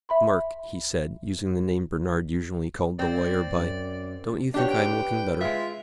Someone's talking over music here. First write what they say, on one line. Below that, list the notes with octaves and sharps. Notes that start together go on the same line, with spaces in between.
"Mark," he said, using the name Bernard usually called the lawyer by, "don't you think I am looking better?"
E5 B5 C6
C4 D5
F#2
B2 B3 D4 G4 C#5 A5
B4 G5
G#3 F4 E5